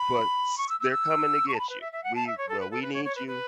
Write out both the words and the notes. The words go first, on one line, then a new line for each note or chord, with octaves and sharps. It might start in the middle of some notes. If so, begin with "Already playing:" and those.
but s they're coming to get you, "We well, we need you
Already playing: B5
C#6
E6
E6
E6
C#6
A5
B5
B4
E5
E5
F#5
A5
E5
C#5
A4
B4
A4
B4
C#5
C#5
B4
B4